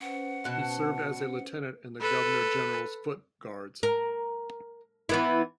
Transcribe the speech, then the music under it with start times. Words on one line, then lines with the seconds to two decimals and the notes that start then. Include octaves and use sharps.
He served as a lieutenant in the Governor General's Foot Guards.
0.01 C#4 B4 C5 F#5
0.44 B2 F#4 A5
2.01 A4 B4
3.83 A#4
5.09 E3 B3 E4